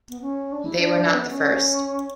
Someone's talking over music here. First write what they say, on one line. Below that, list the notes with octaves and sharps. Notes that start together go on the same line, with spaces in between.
They were not the first.
B3
C#4
D4
E4
D4
B3
C#4